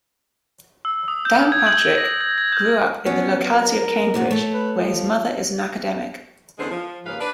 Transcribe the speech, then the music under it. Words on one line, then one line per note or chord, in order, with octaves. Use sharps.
Downpatrick grew up in the locality of Cambridge, where his mother is an academic.
E6
D#6
G6
G#6
F#7
A#6
G#6
G#6
G6
F#3 B3 C#4 D4
A#4
C3 A#3 F#4
A3 C#5
B4
F3
E2 D3 G#3 B3 C#4 C5
F3
D#2 G#2 C#3 B4 F5
D4 B4